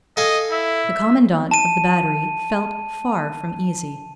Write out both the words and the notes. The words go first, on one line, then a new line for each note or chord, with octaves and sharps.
The commandant of the battery felt far from easy.
A4 D#5 F5 G#5
E4 E5
A5 D#7